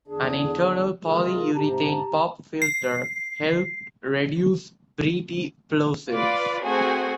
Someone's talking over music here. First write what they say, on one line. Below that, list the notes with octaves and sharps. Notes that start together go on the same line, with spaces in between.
An internal polyurethane pop filter helped reduce breathy plosives.
E2 D3 D4 G#4
C3 G#3 F4 G#4 A#4
G#2 C3 G4 A5 A#5
C7
F4 B4 D5 D6
A3 C4 F#4 G#4 C5 G#5